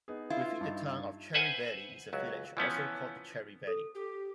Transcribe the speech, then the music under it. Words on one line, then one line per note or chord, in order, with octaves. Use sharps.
Within the Town of Cherry Valley is a village, also called Cherry Valley.
B3 D#4 G#4
E4 F4
G2 D#4
B4 C5 E5 F#5 G#5
C#2 F#3
E3 F3 B3 C#4
A4
G4